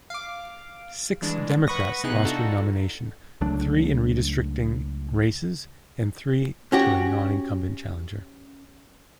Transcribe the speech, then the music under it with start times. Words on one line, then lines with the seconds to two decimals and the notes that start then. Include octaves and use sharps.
Six Democrats lost renomination: three in redistricting races and three to a non-incumbent challenger.
0.10 F5 D6
1.21 G2 E3 G#3 D4
1.67 B4 F#5 B5 C#6 D#6 A#6
2.04 C3 B3 D#4 E4 G#4 F#6
2.25 D4 D#4 F4 F#4 A4
3.41 C#2 F#3 A3 D4
6.72 C#4 F#4 G4